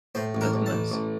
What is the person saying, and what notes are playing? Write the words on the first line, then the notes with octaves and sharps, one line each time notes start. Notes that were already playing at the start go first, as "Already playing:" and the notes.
That's nice.
A2 C5
A1
A#4
A1
A5
A1
A1